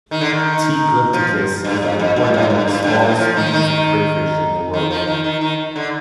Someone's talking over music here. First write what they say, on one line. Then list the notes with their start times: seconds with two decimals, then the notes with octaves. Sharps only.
"T. glypticus" is reportedly the smallest species of crayfish in the world.
0.11 D#3
0.21 D3
0.33 D#3
1.13 F3
1.65 G2
1.82 F2
1.99 F2
2.16 G2
2.34 A2
2.50 G2
2.68 G2
2.84 G2
3.01 A2
3.19 F3
3.36 D#3
3.53 D#3
4.73 D#3
4.91 F3
5.07 D#3
5.24 D#3
5.41 D#3
5.76 D3